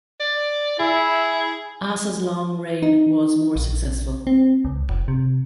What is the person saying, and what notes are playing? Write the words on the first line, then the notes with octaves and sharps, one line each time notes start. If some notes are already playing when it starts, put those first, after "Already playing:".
Asa's long reign was more successful.
D5
E4 G#4
D#4
A#1
C4
C#2
F1
C3